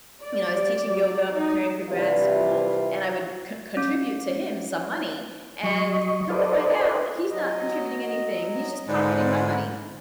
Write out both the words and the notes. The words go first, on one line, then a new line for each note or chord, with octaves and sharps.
you know, I was teaching yoga, preparing for grad school, and I would co contribute to him some money, and come to find out, he's not contributing anything, he's just pocketing my money.
D5
G3
F#3
D#4
C3 E3 G3 D4 E4 F4
C#4
F#3 D#5 C#6
A4 B4 C5 D5 D#5
F#3 D#5
G#2 D3 F4 B4